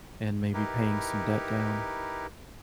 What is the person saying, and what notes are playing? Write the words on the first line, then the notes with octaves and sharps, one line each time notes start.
and maybe paying some debt down.
D#4 E4 G4 A#4 B4